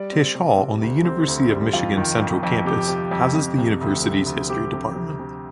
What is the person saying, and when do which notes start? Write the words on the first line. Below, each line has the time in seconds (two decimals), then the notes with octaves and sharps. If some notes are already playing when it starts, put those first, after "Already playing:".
Tisch Hall, on the University of Michigan central campus, houses that university's history department.
Already playing: G3 D5
0.12 C4
0.35 C3
0.58 C3
0.81 D2
1.05 C4
1.28 D2
1.51 G3
1.73 F2 F4
1.97 D#3
2.20 F2
2.43 F2
2.65 C3 G4
2.88 C3
3.11 F2
3.35 F2
3.58 C3
3.81 D2
4.04 C3
4.26 D2
4.49 C3 G4
4.73 C3
4.95 C3
5.19 C3